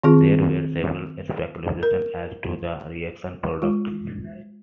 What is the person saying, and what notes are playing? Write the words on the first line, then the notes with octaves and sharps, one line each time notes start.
There were several speculations as to the reaction products.
D#3 C4 F4 G#4
A#4
G#3 F4